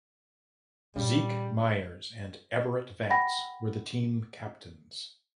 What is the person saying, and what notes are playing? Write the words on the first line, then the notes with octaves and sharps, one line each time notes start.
Zeke Myers and Everett Vance were the team captains.
A#2 C#3 G3
F#5 G5 B5 A#6